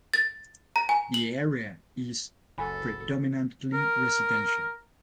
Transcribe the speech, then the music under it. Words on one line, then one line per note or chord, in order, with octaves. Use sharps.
The area is predominantly residential.
A6
A#5
G#5
F#7
F#1 C#2 F#2 F#4 A4 G#5 B5
A#4